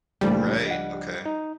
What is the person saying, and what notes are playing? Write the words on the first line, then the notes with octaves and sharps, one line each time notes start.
Right. Okay.
C#2 A#2 E3 F3 G3 A3 D4
D#5 F#5
D#4